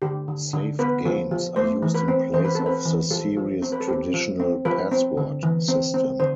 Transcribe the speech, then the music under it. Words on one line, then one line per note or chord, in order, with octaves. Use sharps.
Saved games are used in place of the series' traditional password system.
D3 G4
D3
D3
B3 B4
F3
F3
A3 C5
E3
B4
C4
E3 C5
B4
C4 A4
B4
E3
F3 A4
F3
C4
B4
A4
C4 G4
F3
C4
F3 B4
C4
D3
E3
C4
C4
D3 C5